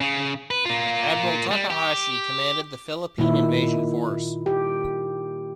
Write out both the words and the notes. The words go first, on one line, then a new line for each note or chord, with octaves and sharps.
Admiral Takahashi commanded the Philippine Invasion Force.
C#3
B4
A#3 F4
G3
G4
A#2 D#3 E4
G4